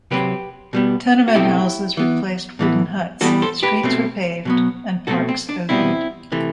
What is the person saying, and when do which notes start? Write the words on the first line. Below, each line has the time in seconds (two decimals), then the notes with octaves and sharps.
Tenement houses replaced wooden huts, streets were paved and parks opened.
0.11 C3 F#3 C4 G4 B4
0.73 B2 G3 B3
1.28 F#4
1.35 B2 A3 C4 E4 G4
1.97 E3 B3
2.59 A2 E3 B3
3.21 E3 G3 B3 F#4 A4
3.42 A4 C5
3.63 G4 B4
3.83 B2 A3 C4
4.45 B2 F#3 B3
5.07 B2 A3 C4 F#4 A4
5.29 C4
5.49 D4
5.69 B2 G3 B3 C4 E4
6.32 C3 E3 A3